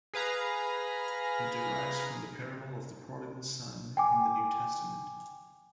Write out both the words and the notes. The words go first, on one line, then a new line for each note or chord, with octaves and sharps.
It derives from the Parable of the Prodigal Son in the New Testament.
G#4 B4 F5 A#5
G5 G#5 D6